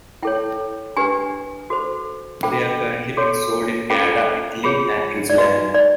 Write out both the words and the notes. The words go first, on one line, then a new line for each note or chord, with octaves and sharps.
They are currently being sold in Canada, Italy and New Zealand.
E4 A4 C#5 G5
D4 G4 B4 G#5
F#4 A4 C5
D4 F4 A4 C5 G5
F#4 A4 C#5
C#4 F4 A4 C5 G5
F4 G#4 C#5
D5
D#4 F#4 B4 D#5
D5